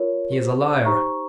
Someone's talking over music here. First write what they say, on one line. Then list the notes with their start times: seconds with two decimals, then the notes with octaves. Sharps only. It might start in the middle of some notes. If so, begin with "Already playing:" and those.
He is a liar.
Already playing: F4 A#4 C#5
0.32 G4 C5
0.85 D#4 G4 C5 A#5 C#6